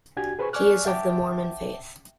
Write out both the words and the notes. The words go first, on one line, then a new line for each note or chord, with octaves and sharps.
He is of the Mormon faith.
C2 D4 F#4 G4 G#5 G#6
G#4 B4 C5 G#5 B5 C#6
D5 G#5 C#6 D6 F6 F#6
E5 F#5 G5 A5 D6